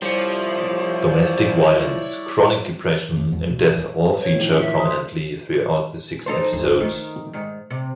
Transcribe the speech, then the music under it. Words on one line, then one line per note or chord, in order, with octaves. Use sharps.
Domestic violence, chronic depression and death all feature prominently throughout the six episodes.
C2 F3 G3 E4 C#5 D5 C#7
F2 A3
A1 E2 G#2 F#3
D2 B2
D1 B1 F2 E3
G4 B4
C#5
A2 D#3 F3
C#4
E5
C6 D#6
D#4 A4 C5
G1 D#2
D#3 A3
G#2 D#3
C3